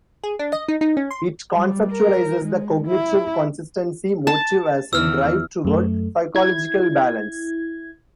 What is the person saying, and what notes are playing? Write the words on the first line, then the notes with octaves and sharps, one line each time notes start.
It conceptualizes the cognitive consistency motive as a drive toward psychological balance.
G#4
D4
D#5
D#4
D#4
C#4
C6
G3
A#4
G#3
E4
A5
E2 D#3 E6 F6
F#2 A3
E4 G#6